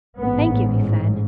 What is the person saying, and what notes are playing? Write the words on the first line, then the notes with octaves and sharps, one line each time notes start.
"Thank you," he said.
A1 G#2 B3